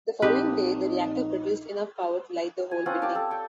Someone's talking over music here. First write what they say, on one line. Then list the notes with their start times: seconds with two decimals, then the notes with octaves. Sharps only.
The following day, the reactor produced enough power to light the whole building.
0.22 A#1 C4 D#4 G4 B4 A5 D#6
2.71 G#5
2.86 F3 C4 C#4 F#5
3.02 G4 D5 G5 A5
3.15 A4
3.30 C#5 G5